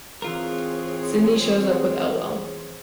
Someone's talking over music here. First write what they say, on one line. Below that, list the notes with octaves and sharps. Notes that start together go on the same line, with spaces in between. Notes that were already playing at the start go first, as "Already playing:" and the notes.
Sidney shows up with Elwell.
E3 C4 F4 G#4 A#4 C#5